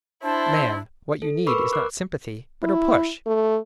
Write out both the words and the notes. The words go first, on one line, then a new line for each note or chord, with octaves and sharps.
Man, what you need is not sympathy, but a push.
D4 E4 C5 A5
A4
A#4 B4 B5 C#6 D6 E6
A#4 D6 F#6
E4
A3